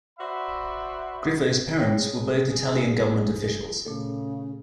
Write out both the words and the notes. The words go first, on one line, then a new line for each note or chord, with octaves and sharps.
Grifo's parents were both Italian government officials.
F#4 C5 D5 E5 B5
D4 C#5 G5 A#6
G#4
A#2 C#3 A3 A4